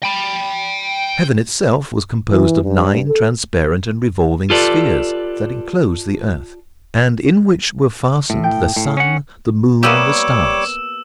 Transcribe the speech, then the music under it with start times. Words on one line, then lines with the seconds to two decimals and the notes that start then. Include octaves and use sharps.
Heaven itself was composed of nine transparent and revolving spheres that enclosed the earth, and in which were fastened the sun, the moon and the stars.
0.03 G5 B5
2.30 E3
2.63 G2
3.08 A4
4.50 F4 G4 A4 B4 D5
8.30 A2
8.44 G5
8.76 A2
8.97 C#4 F#5
9.83 G3 A#3 B3 G4 C#5 D6 E6 E7